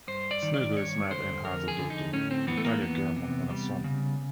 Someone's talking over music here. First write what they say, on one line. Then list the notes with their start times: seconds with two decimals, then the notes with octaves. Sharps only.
Snegur is married and has a daughter, Natalia Gherman, and a son.
0.08 G2 C5
0.31 D5
0.42 D#3
0.54 D5
0.77 G2 C#5
1.11 D3 C5
1.45 F2 A#4
1.68 G#4
1.79 D3
1.90 D#4
2.13 A2 C#4
2.31 C4
2.47 E3 B3
2.57 A3
2.65 A#3
2.82 E2 B3
3.16 C3
3.50 G3
3.84 C#3